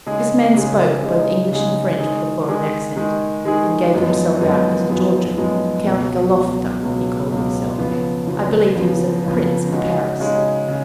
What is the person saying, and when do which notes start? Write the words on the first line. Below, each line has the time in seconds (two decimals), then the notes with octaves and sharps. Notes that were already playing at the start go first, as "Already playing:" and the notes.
This man spoke both English and French with a foreign accent, and gave himself out as a Georgian--Count Galofta, he called himself: I believe he was a prince in Paris.
0.06 C#3 G#3 D#4 G#4
0.54 C#3 G#3 D#4 G#4
1.03 C#3 G#3 D#4 G#4
1.52 C#3 G#3 D#4 G#4
2.00 D#3 G#3 D#4 G#4
2.48 D#3 G#3 D#4 G#4
2.96 D#3 G#3 D#4 G#4
3.45 D#3 G#3 D#4 G#4
3.93 F#2 F3 G#3 B3 D#4
4.41 F#2 F3 G#3 B3 D#4
4.89 F#2 F3 G#3 B3 D#4
5.37 F#2 F3 G#3 B3 D#4
5.86 C#2 B2 F#3
6.34 C#2 B2 F#3
6.82 C#2 B2 F#3
7.30 C#2 B2 F#3
7.78 F2 C#3 F3 B3
8.27 F2 C#3 F3 B3
8.75 F2 C#3 F3 B3
9.23 F2 C#3 F3 B3
9.72 C#3 G#3 D#4 F#4
10.20 C#3 G#3 D#4 F#4
10.68 C#3